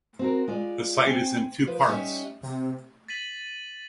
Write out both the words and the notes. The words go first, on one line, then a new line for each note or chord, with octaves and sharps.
The site is in two parts.
C4 F#4 A#4
G#3 F4 D5
C4 G#5
F3 B4 C5
G3 C#4 D#4 C5 C#5 E5
C3
A6 B6 D#7 F#7